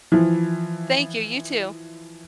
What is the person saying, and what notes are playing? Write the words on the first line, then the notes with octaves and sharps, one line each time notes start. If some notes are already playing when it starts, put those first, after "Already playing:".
Thank you, you too.
E3 F3